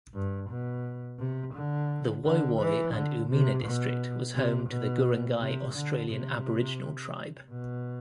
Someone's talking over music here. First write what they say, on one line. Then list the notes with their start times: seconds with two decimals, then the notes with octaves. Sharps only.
The Woy Woy and Umina district was home to the Guringai Australian Aboriginal tribe.
0.14 G2
0.50 B2
1.19 C3
1.54 D3
2.24 D3
2.60 E3
2.94 D3
3.30 C3
3.65 B2
4.35 C3
4.69 B2
5.40 C3
5.74 D3
6.09 C3
7.50 B2